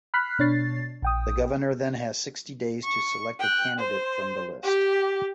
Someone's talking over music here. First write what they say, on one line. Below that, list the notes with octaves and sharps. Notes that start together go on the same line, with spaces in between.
The governor then has sixty days to select a candidate from the list.
B5 F6 F#6 B6 C7
B2 D4 C#5 A6 C7
A#1 G5 D#6
C#6
G5 F#6
C5
G4